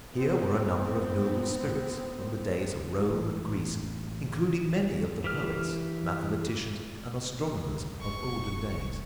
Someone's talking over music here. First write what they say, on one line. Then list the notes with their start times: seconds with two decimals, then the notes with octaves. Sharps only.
Here were a number of noble spirits from the days of Rome and Greece, including many of the poets, mathematicians and astronomers of olden days.
0.13 B3 C4
3.10 A1
5.24 E3 G4 F6
8.01 D#1 A3 C#6